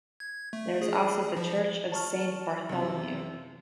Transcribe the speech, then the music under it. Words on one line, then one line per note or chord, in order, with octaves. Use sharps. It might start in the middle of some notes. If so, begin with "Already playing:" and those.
There is also the church of Saint Bartholomew.
G#6
A3
G#4
F3
A5 C#6 F6
F#2 C3